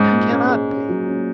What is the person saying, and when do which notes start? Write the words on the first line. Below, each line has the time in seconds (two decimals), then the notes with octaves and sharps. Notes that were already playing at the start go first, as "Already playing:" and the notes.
It cannot be.
Already playing: G#2 C#4
0.11 A#2
0.31 C#4
0.49 G#4
0.69 C#4
0.89 F#3
1.07 C#4